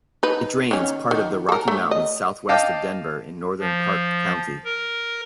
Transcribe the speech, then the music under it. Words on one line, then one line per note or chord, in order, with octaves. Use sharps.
It drains part of the Rocky Mountains southwest of Denver in northern Park County.
D#4 B4
D#3 C#4
D#3
A4 A#4
A3
D#5
D#5 F5 G5 A5 D6
F3
A#4